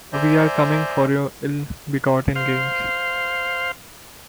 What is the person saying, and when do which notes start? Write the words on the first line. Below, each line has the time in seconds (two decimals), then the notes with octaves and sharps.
We are coming for your ill-begotten gains.
0.13 C5 D5 E5 G#5 A#5 G6
2.36 C5 F5